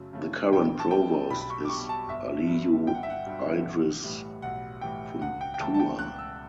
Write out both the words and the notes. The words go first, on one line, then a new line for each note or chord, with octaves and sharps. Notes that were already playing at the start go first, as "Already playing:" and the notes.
The current Provost is Aliyu Idris Funtua.
Already playing: F#2 C#3 F#3 A3
C#3 F#3 A3
B1 G5
A5
B2 G3 G5
B1 B5
B5
C#6
D6
B2 G3 C#6
A5
G1 E5
G2 F#3
G1 G5
F#5
E5
F#5
G2 F#3
B1
A2 E3 G3
B1 F#5
A2 E3 G3 G5
C#2 F#5
G5
G5
C#3 E3 A3 A5
A5
G5
C#2 F#6
E6